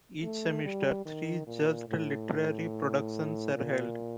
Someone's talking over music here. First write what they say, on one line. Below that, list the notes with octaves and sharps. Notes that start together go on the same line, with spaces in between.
Each semester, three judged Literary Productions are held.
A3
G3
D#3
A#2
A2
A#2